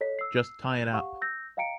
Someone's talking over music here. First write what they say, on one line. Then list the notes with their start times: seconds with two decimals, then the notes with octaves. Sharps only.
Just tie it up!
0.01 A4 C#5 D#5 B6
0.19 E6 C7
0.93 G4 F5 F#5 C#6
1.22 E6 G6 A#6
1.57 D#5 F5 G5 A#5 C#7 D7